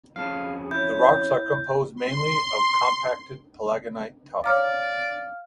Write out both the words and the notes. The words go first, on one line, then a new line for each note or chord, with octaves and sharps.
The rocks are composed mainly of compacted palagonite tuff.
F2 C#4 G#4 F5 A5
E4 C#5 G6
C6
C#5 D5 F5 A#5 D6 F6